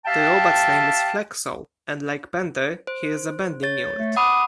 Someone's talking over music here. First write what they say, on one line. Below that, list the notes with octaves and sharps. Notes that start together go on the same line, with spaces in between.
The robot's name is Flexo, and like Bender, he is a bending unit.
G4 E5 F5 G5 A5
C5
C#5 A6
A3
F#5 B5 D6 D#6